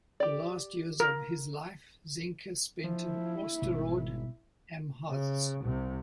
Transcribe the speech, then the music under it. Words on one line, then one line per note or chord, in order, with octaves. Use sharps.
The last years of his life Zenker spent in Osterode am Harz.
G4 D5
A#4
F3 E4
G#1 B2 G3
C#3
C2 C3